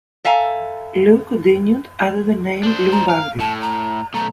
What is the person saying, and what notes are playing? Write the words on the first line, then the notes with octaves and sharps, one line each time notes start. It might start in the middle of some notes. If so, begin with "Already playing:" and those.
Lou continued under the name "Lou Bandy".
A4 E5 F5 G#5 A#5
D4 C5
A#5
F5
A2 A5
A#5
B1 A3 A#5